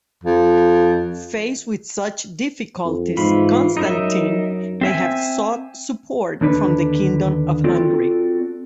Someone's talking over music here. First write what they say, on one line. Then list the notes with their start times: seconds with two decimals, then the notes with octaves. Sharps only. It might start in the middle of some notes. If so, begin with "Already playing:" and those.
Faced with such difficulties, Constantine may have sought support from the Kingdom of Hungary.
0.24 F2
2.85 F2
3.17 G#2 E3 F4 B5
3.77 F#2 D#4 A#4 E5
4.81 C4 E5 G#5
6.41 D#2 D3 D4 B4
7.64 C4 F4 F#4 A4 D5